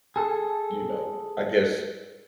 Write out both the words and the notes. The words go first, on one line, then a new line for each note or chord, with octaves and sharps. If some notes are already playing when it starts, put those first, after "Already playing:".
you know I guess
G#4 A4